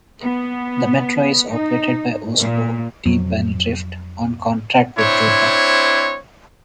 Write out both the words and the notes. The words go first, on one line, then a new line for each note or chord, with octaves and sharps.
The metro is operated by Oslo T-banedrift on contract with Ruter.
B3
D#4
A#2
F2 F#3
C4 D4 E4 C5 C#5